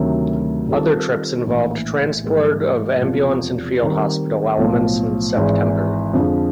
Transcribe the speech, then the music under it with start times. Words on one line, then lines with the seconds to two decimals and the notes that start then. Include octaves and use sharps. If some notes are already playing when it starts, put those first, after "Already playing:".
Other trips involved transport of ambulance and field hospital elements in September.
Already playing: D2 C3 D#3 F#3 A3
0.68 D#3 G3 C4 F4 A4
1.46 A#1 A2 E3
2.24 G#2 E3 G3 A#3
3.02 E1 E2 C3 F3
3.80 D#3 G3 C4
4.57 B1 A2 F3
5.35 G#1 G#2 E3 G#3
6.13 F2 D3 F3 G#3